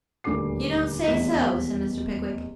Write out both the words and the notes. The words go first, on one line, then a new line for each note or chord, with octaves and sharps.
'You don't say so?' said Mr. Pickwick.
D#1 D2 D3 G#4 D6 C7
D#1 A1 E2 C4 D#5 B6